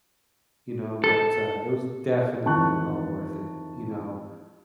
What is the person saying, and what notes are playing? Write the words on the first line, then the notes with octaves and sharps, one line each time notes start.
you know, but, uh, it was definitely all worth it, you know.
A4
F2 D#3 E3 A5 C#6 F#6